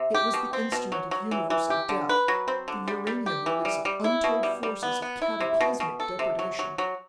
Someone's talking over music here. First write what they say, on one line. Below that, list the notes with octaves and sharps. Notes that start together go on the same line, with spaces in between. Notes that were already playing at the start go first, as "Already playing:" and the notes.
It was the instrument of universal death--the uranium release of untold forces of cataclysmic depredation.
Already playing: C3
G4
B2
C4
B2
F#3
F#3
E3
E3
G4
D3
B4
F#3
C4
D3
G3
G3
G4
E3
G3
G3
E4
B2
G3
G3
B3
B3
E4
C3
B2
B2
A4
C3
F#3
F#3
F#3